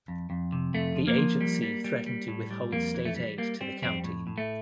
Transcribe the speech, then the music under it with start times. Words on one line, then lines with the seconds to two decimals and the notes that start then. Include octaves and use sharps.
The agency threatened to withhold state aid to the county.
0.08 F2
0.30 F2
0.52 C3
0.74 F2 A3
0.96 F3
1.08 A#3
1.18 F3
1.41 G3
1.62 G3
1.84 G3
2.06 G3
2.28 A2
2.51 G3
2.72 F2 A#3
2.95 E3
3.05 A3
3.16 G3
3.38 G3 A#3
3.61 G3 C4
3.82 F2 C4
4.04 A2
4.27 A2
4.38 A3